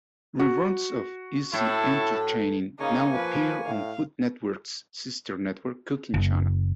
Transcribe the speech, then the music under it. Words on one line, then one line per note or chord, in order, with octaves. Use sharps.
Reruns of "Easy Entertaining" now appear on Food Network's sister network Cooking Channel.
F#4
A2 E4 C#5 A5
C#3 A#3 D#4 G#5 C#6
F3 B4
A2 F5
F#1